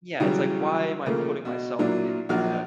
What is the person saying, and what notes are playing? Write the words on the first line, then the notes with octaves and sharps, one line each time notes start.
yeah, it's like, "Why am I putting myself in that
C#3 E3 F#3 G3
C#3 F3 A3 A#3
B2
A#2 F#3 A#3 D4 E4
A#1 A#2 F#3 F#4 F6